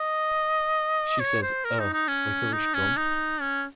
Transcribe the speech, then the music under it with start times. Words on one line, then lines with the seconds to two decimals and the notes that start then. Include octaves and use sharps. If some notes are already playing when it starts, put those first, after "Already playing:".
She says, Ugh licorice gum?
Already playing: D#5
1.20 C#5
1.43 C5
1.65 A#4
1.80 D#4
1.93 D#4
2.08 C#4
2.53 D#4
2.74 C#4
2.97 D#4
3.41 C#4